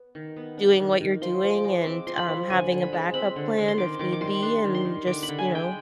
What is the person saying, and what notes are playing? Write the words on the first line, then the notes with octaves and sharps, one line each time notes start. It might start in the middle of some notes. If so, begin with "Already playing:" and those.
doing what you're doing, and, um, having a backup plan if need be, and just, you know
Already playing: B3
D#3
B3
D4
D#3
D#3
F3 C6
F3
D6
G#3
C4 D6
F3 C6
B5
F3
D3 G#5
D3
B5
G#3
C4 B5
D3
D3
C6
D#3 D6
D#3 D6
D6
G3 C6
D4 C6
D#3
C6
D#3
D3 D6
B5
D3
G#5
G#3
G5